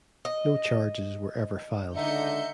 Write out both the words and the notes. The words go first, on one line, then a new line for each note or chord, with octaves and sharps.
No charges were ever filed.
D#5
C#2 D3 D#4 E5 G6 C#7